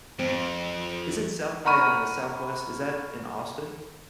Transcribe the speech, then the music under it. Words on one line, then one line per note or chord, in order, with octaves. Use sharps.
Isn't South by, uh, Southwest? Is that in Austin?
F2 C4
F#5 A#5 B5 C#6 F6 D#7